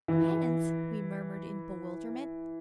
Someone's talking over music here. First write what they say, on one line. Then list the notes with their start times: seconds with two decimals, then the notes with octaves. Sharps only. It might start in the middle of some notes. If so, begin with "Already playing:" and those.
"Penance?" we murmured in bewilderment.
0.08 E3